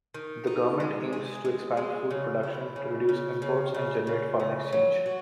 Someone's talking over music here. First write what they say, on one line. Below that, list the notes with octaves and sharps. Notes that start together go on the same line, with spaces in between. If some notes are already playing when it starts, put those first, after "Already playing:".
The government aims to expand food production to reduce imports and generate foreign exchange.
D#3
D#4
G#3
G#4
G#3
G#3
C#3
E4
C#3
C#3
C#3
C#3
C#3
C#3
F#3
F#4